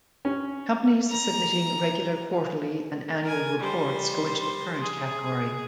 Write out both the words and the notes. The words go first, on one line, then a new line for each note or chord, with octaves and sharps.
Companies submitting regular Quarterly and Annual Reports go into the Current category.
C#4
A#5
A#4 G#5
G3 C5
G#4